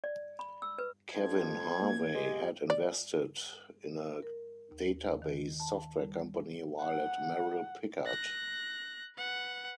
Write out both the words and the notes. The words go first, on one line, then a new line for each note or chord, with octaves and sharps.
Kevin Harvey had invested in a database software company while at Merrill Pickard.
D5
B5
E6
B4
F2 G#6
A#3
G#3 G4
D5
A#4
D#2
D#3
A5
G3
F#5
F#6 A#6
B4 F#5